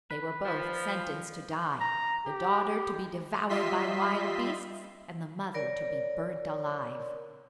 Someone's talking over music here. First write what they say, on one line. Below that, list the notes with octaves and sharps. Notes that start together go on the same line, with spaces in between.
They were both sentenced to die--the daughter to be devoured by wild beasts, and the mother to be burnt alive.
B4
F3
A#5
G4
G3 F4 D#5 E5 C6 B6
A#4 C#5 D5